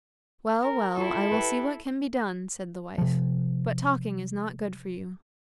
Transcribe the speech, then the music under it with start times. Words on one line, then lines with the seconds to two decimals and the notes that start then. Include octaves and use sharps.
'Well, well, I will see what can be done,' said the wife, 'but talking is not good for you.
0.62 A#4
0.97 E4 F4 A4
1.31 G4 B4
2.98 C3 F3